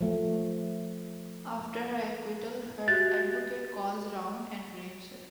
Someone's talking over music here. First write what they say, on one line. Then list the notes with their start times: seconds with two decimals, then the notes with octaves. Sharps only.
After her acquittal, her advocate calls round and rapes her.
0.01 F3 A3
2.88 F#4 G4 E5 A6